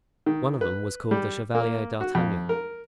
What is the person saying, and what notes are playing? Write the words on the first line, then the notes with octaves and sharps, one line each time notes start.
"One of them was called the Chevalier d'Artagnan."
D#3
B4
G3
A#3
F#4
F2
A#4